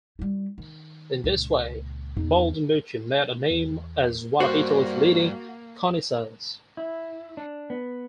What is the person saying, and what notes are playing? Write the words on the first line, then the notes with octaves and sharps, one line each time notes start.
In this way Baldinucci made a name as one of Italy's leading connoisseurs.
G3 E4
D#3
C#2 A#2
E2 D#4
E2
G2 A#3 F#4 C5
E4
D4
B3